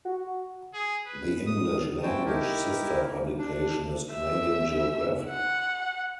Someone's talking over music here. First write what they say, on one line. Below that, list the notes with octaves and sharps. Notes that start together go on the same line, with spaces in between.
The English-language sister publication is "Canadian Geographic".
F#4
G#4
B4
D#6
E4 F#4 C5 G5 A5
D#4 E4 G4 A#4
D4
E5
F#5